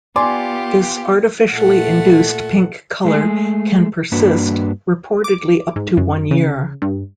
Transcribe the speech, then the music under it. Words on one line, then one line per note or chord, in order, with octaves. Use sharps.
This artificially induced pink color can persist, reportedly up to one year.
B3 F4 G4 D5 G#5 C6
A#2 A3 F#5
G#3 A3 G#4
G2 A#3 D4 F#4 B4
D6
G#2
F#2
C#3
G2